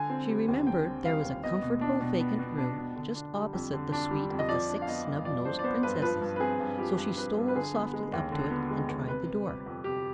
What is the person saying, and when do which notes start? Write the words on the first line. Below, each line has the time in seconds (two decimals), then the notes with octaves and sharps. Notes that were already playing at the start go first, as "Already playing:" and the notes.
She remembered there was a comfortable vacant room just opposite the suite of the Six Snubnosed Princesses, so she stole softly up to it and tried the door.
Already playing: D3 G#5
0.10 C4
0.28 G3
0.48 D#2
0.67 D3 G5
0.86 C4
1.05 G3 F5
1.24 D#2
1.44 B3 D#5
1.62 B2
1.81 D4
2.01 B2
2.20 B3
2.39 B2
2.58 D4
2.78 B2
2.96 D3
3.15 D4
3.35 G3
3.53 F2
3.73 D3
3.92 D4
4.11 G3
4.30 F2
4.39 D#5
4.49 F3 D5
4.69 D4
4.82 F5
4.87 B3 D#5
5.07 G2
5.25 F3 D5
5.45 D4 C5
5.59 D5
5.63 B3 C5
5.83 G2 B4
6.02 F3 B4
6.21 G2
6.36 B4
6.40 C4 G#4
6.60 G2
6.78 F3 G4
6.98 G2
7.17 C4 B4
7.37 G2
7.48 B4
7.55 D3 G#4
7.74 B3
7.93 G#3
8.13 D#2
8.32 D3
8.51 B3
8.71 G#3
8.89 D#2
9.08 C3 B4
9.27 C4
9.46 G3 G4
9.66 F2
9.84 C3 G4